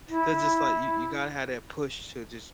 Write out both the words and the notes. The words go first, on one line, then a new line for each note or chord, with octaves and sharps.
'Cause it's, like, you you gotta have that push to just
E4